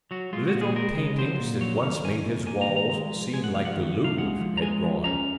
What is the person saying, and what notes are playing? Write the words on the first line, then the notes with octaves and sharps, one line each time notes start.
Little paintings that once made his walls seem like the Louvre had gone.
F#3 F#4
G#3 F4
F#4
A#2
G#4
G#3 A#4
C#3 D#5
F#3 C5
A#2
F#3 C#5
D#3 F5
D#3 G#5
C3
A#3 G#5
A#5
D#3
A#5
G#3 A#5
F3
G#3 G#5
F#5
F3 F5
F#5
D#3
C3
F5
G#3 F#5
F3
A#5
G#3 G#5
F3
C#4 A#5